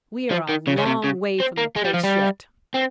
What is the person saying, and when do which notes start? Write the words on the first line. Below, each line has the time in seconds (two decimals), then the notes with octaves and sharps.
"We are a long way from the place yet."
0.31 F3
0.49 D#3
0.67 C#3
0.77 C#3
0.86 C3
1.04 C#3
1.40 C4
1.57 A#3
1.76 G#3
1.85 G3
1.94 F3
2.04 G3
2.74 C4